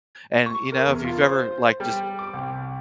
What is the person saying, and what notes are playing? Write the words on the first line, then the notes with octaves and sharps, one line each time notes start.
and, you know, if you've ever, like, just
C#6
A#4
E2
F4
C5
G3
D6
C2